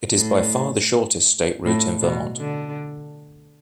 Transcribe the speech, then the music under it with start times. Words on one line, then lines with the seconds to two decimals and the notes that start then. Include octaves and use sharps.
It is by far the shortest state route in Vermont.
0.15 A2
1.65 A2
2.01 B2
2.39 D3